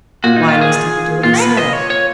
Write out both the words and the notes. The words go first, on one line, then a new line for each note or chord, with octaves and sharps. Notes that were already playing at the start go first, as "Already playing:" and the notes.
"Why must I put away Sarah?"
A#2 F#4
D#4
F4
G#4
A#2 F4
B4
D#5
C#5
C#5